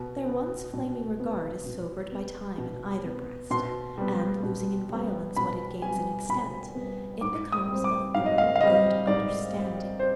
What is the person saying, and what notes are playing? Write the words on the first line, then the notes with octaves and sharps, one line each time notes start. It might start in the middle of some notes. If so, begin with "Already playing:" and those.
Their once flaming regard is sobered by time in either breast, and losing in violence what it gains in extent, it becomes a thorough good understanding.
Already playing: B2
B3
B2
B3
B2
B3
B2
B3
B2 C6
G3 B3
B2
G3 B3
B2 B5
G3 B3 G#5
B2 B5
G3 B3
G#2 D6
D#6
G3 C4
D6
G#2 F5
D#5
F5
F5
G3 C4 D#5
G#2 D5
G3 C4
C5